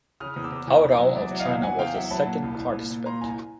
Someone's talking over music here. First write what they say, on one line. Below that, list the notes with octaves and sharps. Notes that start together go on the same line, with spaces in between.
Hao Rao of China was the second participant.
C#3 D#6 F6
E2 D#6
D6 E6
E2
E2 G#5 A#5
E2 B5
G#5 A#5
F#3
E2 D5 E5
F#3
D#5 F5
E2
E2 F#5 G#5
E2 F5 G5
F#3 E5 F#5
F#3 A5 B5
A#2
C2
C2
A#2
A#2
A#2 A#5 C6
C2 G#5 A#5